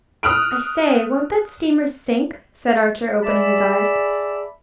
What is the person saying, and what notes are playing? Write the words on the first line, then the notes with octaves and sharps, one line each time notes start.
"I say, won't that steamer sink?" said Archer, opening his eyes.
D#6 F6 F#6 D7
G#4 D5 E5 A5 B5